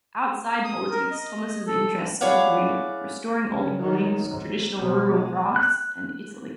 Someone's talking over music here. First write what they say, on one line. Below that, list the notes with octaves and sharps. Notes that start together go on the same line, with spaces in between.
Outside politics Thomas' interests include restoring old buildings, traditional rural crafts and Italy.
D#6
A#4
D#5
A4
E4 G#4 C#5 D5 F5 F#5
C#3
D#3 F#3
G#2
B2 F3
G#3
F#6